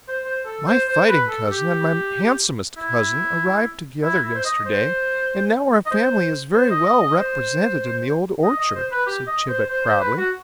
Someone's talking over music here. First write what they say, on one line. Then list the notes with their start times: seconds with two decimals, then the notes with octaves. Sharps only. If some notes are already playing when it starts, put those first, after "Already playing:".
"My fighting cousin and my handsomest cousin arrived together yesterday, and now our family is very well represented in the Old Orchard," said Chebec proudly.
0.08 C5
0.24 C5
0.46 A4
0.67 C5
0.88 C5
1.08 B4
1.29 A4
1.51 G4
2.77 E4
4.03 E4
4.23 E4
4.35 C5
4.45 D#5
4.66 C5
5.86 D#5
5.91 C5
6.54 C5
6.70 D#5
6.86 D#5
7.02 D#5
7.17 C5
8.43 D#5
8.59 D#5
8.75 C5
8.91 B4
9.06 G4
9.27 D#5
9.49 C5
9.69 C5
9.85 C5
10.01 B4
10.17 F#4